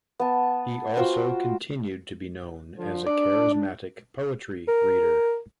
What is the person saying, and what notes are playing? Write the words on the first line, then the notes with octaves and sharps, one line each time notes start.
He also continued to be known as a charismatic poetry reader.
B3 A5
F4 F#4 C5 G5
D3 F3
D4 D5
A#4